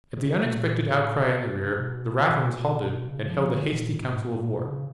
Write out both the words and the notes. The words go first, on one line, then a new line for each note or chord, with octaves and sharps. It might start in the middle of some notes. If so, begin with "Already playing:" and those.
At the unexpected outcry in the rear the Raturans halted, and held a hasty council of war.
C3
B2
A#2
A2
B2
C3
C3
B2
C#3
F3
D3
A#2
G#2
A2
A#2
B2
C#3